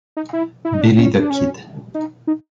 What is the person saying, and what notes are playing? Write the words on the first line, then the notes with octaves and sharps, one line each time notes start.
Billy the Kid.
D#4
E4
E4
D#4
D4
C#4
D4
C#4
D#4
D#4